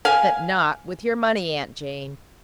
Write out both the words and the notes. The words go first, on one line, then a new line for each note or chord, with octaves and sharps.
But not with your money, Aunt Jane.
F5 G#5